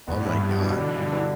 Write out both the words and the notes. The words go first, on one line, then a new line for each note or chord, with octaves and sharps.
Oh my gosh.
E2 B3
G2
A2 E4
G2
B3
B2
D3 D4
E3
G2 D3
D3 E3